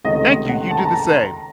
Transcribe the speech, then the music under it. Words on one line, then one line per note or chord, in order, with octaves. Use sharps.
Thank you, you do the same.
C#2 C3 D#3 A3 C#4 D#5
F#5
A5
A#5
A5
A#5